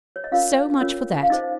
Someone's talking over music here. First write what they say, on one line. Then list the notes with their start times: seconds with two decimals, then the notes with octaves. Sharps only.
So much for that.
0.16 C#5
0.24 D#5
0.32 C#4 F4 A#4 C#5 F5
0.81 C#4 F4 A#4 C#5
1.23 F5
1.30 D#4 G#4 C5 D#5